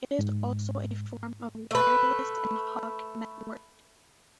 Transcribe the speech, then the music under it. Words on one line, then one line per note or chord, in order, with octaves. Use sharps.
It is also a form of wireless ad hoc network.
G#2
A3 B4